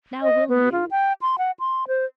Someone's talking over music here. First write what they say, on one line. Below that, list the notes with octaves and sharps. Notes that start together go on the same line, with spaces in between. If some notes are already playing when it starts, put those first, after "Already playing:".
Now, will you?'
D#5
B3
F4
G5
C6
F#5
C6
C5